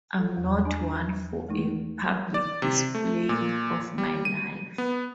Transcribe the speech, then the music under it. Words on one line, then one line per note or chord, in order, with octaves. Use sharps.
I'm not one for a public display of my life.
A4
E2
D4 G#5 A#5
E3 G#3 A3 D#4 E4
D5
C3
A3
A#2
G3
D#7
B3